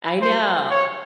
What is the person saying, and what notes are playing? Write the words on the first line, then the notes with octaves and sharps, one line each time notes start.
I know
C5
C#5